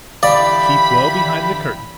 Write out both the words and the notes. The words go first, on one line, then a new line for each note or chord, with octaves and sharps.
Keep well behind the curtains.
D3 E3 G4 D5 F5 B5